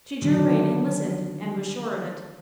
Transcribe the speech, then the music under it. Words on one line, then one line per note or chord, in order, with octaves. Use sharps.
She drew rein and listened, and was sure of it.
D3 D#3 F#3 D4